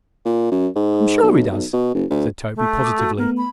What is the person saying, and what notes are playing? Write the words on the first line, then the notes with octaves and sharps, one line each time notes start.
"I'm sure he does," said Toby, positively.
A#2
F#2
G#2
B1
B1
B2
F#1
D2
A3
D6 D#6
F#4
A3 B3 A#4
B5